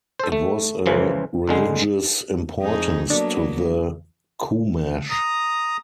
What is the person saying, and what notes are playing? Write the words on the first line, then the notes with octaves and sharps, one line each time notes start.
It was of religious importance to the Chumash.
A4 C5
A3
C#2 C#3 E3 F3
C#2 D3 G#3
F2 D#4 G#4
F#3 A#3 B3 D4
A#5 D#6